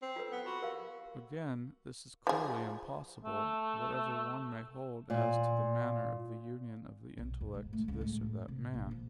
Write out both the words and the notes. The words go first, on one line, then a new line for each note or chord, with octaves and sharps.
Again, this is clearly impossible, whatever one may hold as to the manner of the union of the intellect to this or that man.
C4
F4 A4 B4
B3
F#4 B5 C6
G4 A#4 F5
F3 G#4
A3
A#2
B1
F2
G#2
A3
C#2
A2
C3
A#1
F3